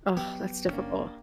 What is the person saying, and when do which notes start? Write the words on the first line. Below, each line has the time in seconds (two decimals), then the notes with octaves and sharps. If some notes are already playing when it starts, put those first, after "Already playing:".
Ugh, that's difficult.
0.17 F#3 B3 G4
0.66 F#1 C3 A#3 C#4 D4